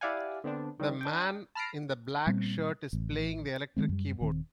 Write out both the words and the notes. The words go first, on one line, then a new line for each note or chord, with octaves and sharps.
The man in the black shirt is playing the electric keyboard.
E4 G4 D5 F5 F#5 G#5
D3 B3 C4 D4
D#3 G3 C4
D4 G5
A5 B5 F6 A#6 C7 D7
A#2 G3 B3 C4
A1
D#3 F3 G#3 C4
F#2 G3
D#1 D#3 C4